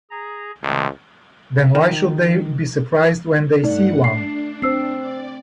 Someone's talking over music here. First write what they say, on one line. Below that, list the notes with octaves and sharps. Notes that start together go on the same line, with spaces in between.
Then why should they be surprised when they see one?
G#4 A#5
C#2 C3 D#3 A3
D#3
G2 A3 D#4 D5 F#5
D4 C7
C4 C5 E6 C7
D5